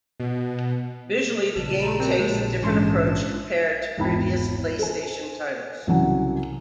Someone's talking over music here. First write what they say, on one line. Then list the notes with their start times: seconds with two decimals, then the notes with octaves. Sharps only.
Visually the game takes a different approach compared to previous PlayStation titles.
0.20 B2
1.55 A#1 C#3 A5 E7
1.82 G4 A#5 B5
2.00 C4 F#4 G4 A#4
2.19 A#2 G#3
2.62 G#2 E3 G#3 C#4 D4 C6
3.98 G#1 E2 G5 A5 B5
4.79 A4 C5 G#5
5.87 C2 C#3 F#3 F#5 G#5